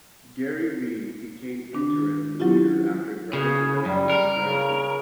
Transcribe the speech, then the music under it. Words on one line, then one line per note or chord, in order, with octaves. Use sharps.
Gerry Reid became interim leader after Grimes announced his retirement.
D#3 D4
F#3 C#4 E4 F4 G4
C#3 G#4
F#2 G3
A#4
C#3